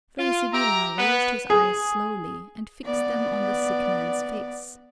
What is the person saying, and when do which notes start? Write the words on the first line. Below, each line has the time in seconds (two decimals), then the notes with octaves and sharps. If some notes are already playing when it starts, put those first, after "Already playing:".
Fray Sibyla raised his eyes slowly and fixed them on the sick man's face.
0.18 F4
0.53 G4 E5 A#5
0.98 B3 B4
1.50 G#4
2.85 B3 D5